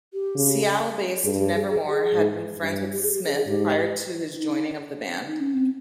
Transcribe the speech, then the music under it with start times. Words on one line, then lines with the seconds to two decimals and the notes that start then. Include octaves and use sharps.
Seattle-based Nevermore had been friends with Smyth prior to his joining of the band.
0.13 G4
0.35 C#3
1.24 G2 G#4
1.40 G4
1.55 G#4
1.69 G#4
1.87 G4
1.92 G#4
2.14 G#2
2.58 G2
2.92 G4
3.03 G#4
3.14 G4
3.25 G#4
3.36 G#4
3.47 G#2 G4
4.36 D#4
5.26 D#4
5.40 C#4
5.54 C4